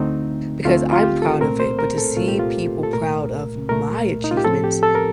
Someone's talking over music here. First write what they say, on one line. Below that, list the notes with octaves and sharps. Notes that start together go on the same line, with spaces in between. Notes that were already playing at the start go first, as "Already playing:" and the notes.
because I'm proud of it. But to see people proud of my achievements
Already playing: D2 D3 A3 C4 D#4
D2 D3 A3 C4 F4
F4
G4
A4
C2 A#2 A3 C4 A#4
C5
A#4
A4
C2 A#2 A3 C4 F4
G4
F4
A4
C2 A#2 A3 A#4
C2 A#2 A3 A#4
D#4
F4
G4
A2 F3 C4 A4
G4
A4
A#4